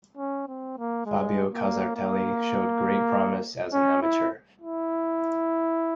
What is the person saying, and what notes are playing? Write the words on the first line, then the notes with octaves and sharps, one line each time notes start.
Fabio Casartelli showed great promise as an amateur.
C#4
C4
A#3
G#3
A#3
A#3
C#4
E4
E4